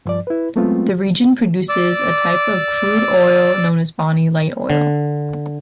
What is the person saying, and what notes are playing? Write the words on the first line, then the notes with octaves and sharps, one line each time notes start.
The region produces a type of crude oil known as Bonny Light oil.
G2 F3 D5
E4 B4
F#3 G#3 A3 B3 C4 F4
D5 D6 E6
D3